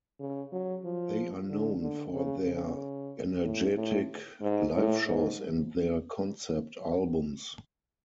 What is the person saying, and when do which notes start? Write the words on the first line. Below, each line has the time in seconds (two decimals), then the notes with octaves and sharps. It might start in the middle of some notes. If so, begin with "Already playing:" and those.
They are known for their energetic live shows and their concept albums.
0.20 C#3
0.52 F#3
0.85 F3
1.50 D3
1.82 D3
2.14 C#3
2.47 C#3
3.44 A2
3.76 A2
4.42 G#2
4.74 A2
5.06 G#2